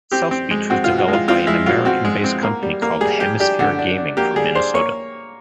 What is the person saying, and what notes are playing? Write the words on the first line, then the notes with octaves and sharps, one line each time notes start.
South Beach was developed by an American based company called Hemisphere Gaming from Minnesota.
C4 G4
C4
G#3
C4 F#4
F4
B2
F#4
G#3
F4
C4 F4
G#3 E4
B2 F4
C4 F#4
G#3
C4
A#3
G3
A#3
G3 G#4
G3 G4
D4 G4
D3 F#4
D4
D4
A#3 G4
G3 G#4
D4 C5
A#3 C#5